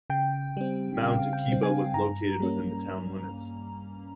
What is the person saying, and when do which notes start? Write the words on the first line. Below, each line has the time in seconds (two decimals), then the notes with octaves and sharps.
Mount Akiba was located within the town limits.
0.10 C#3 G5
0.57 G3 C4
1.02 C#3 F5
1.33 G5
1.48 G3 C4
1.63 G#5
1.94 G2 A#5
2.40 G3 A#3 C#4